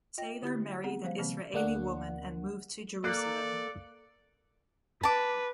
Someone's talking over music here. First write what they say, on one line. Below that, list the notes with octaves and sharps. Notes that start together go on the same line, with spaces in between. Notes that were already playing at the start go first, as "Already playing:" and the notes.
Taylor married an Israeli woman and moved to Jerusalem.
F4 D#5 G5 A#6
D3 E4 G4 B5 G6 A6
B3 C4 G4 G#4 F#5
F3 G3 A#3 C5 F5
C3 D#3 E3 A#3 C4
D2 A#3 D4 F#5
A#3 A4 D5 F#6
B4 A5 D6